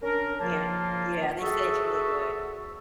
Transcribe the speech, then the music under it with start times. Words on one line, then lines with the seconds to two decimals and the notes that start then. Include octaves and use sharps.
Yeah, yeah, they say it's really good.
0.03 C#4 D4 A#4
0.39 C#3 F3 A#3 F4 A5
1.41 F#4 G#4 A4 E5 C#6